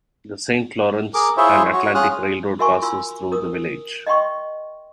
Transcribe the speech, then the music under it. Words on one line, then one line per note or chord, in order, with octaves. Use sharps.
The Saint Lawrence and Atlantic Railroad passes through the village.
G#4 A#4 D6
E4 F4 G#4 C5 C#5 E5
F#4 C#5
C#4 F4 G#4 D#6 F6 F#6
F#4 A#4 E5 G#5 C6 C#6
F4 C6 E6
A#4 D#6
D#5 E5 G5 C6 C#6